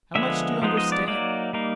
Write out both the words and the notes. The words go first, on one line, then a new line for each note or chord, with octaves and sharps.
How much do you understand?
D3 F3 G#3 B3 E5
F3 G#3 B3 D#4
D#5
D5
F#3 A#3 D#4 D5
G3 A#3 D#4